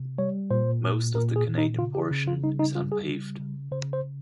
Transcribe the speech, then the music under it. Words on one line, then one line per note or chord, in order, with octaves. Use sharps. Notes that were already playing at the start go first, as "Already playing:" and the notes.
Most of the Canadian portion is unpaved.
Already playing: C3
G3 C#5
A#2 C5
A#2
A#2 A#4
G#4
A#2
D#4
C#3 F4
G4
C#3
F4
G3 D#4
D#4
G3 F4
G#4
C#3
C#3
C#3 C5
C5
C#3